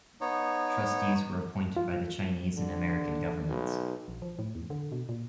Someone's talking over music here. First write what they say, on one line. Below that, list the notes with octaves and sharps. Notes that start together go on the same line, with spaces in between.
Trustees were appointed by the Chinese and American governments.
B3 D#4 C#5
F4
D3
B1
A#1
F3
A2
E2
D3
B2
A#2